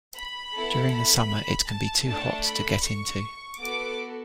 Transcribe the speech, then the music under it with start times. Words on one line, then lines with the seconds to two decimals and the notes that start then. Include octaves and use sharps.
During the summer it can be too hot to get into.
0.17 B5
0.55 B3 E4 A4
0.92 B5
1.69 A5
2.07 A3 D4 A4 A5
2.45 B5
2.83 C#6
3.59 B3 F#4 A4 D6